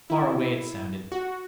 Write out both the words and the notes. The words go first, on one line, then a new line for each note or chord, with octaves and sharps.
Far away it sounded.
E4
F#4